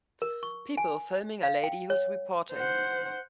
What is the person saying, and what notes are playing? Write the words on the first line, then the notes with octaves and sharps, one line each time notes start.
People filming a lady who is reporting.
A#4
C#6
G#5
F5
G5
C#5
C5 F#5